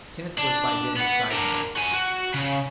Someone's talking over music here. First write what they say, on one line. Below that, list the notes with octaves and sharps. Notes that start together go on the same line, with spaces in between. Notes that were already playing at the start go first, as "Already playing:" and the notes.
Kenneth was by then beside him.
D4
B3 F#5
D4 A#4
F#4 G#5
F#4
C#3